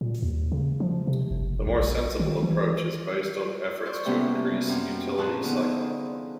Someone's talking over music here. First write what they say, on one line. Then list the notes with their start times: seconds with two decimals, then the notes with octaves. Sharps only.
The more sensible approach is based on efforts to increase Utility cycling.
0.01 A#2
0.22 D#2
0.52 C#3
0.80 F3
1.07 C3
1.31 F#1
1.67 A#1
2.19 D#3
2.42 E3
3.86 C5 D5 C#6
4.05 A2 C3 G3 A#3 B3 C#4
4.68 F#2 C4
5.18 A#2 F3 C#4 G#4 A5 F#6
5.43 D3 F3 B3 D#4